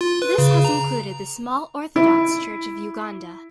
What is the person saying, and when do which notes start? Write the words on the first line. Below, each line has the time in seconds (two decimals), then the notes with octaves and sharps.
This has included the small Orthodox Church of Uganda.
0.01 F4
0.22 B4
0.38 C#3
0.65 A#5
1.96 E4